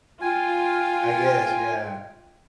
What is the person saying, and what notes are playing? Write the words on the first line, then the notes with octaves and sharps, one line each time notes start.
I guess. Yeah.
F4 G5 G#5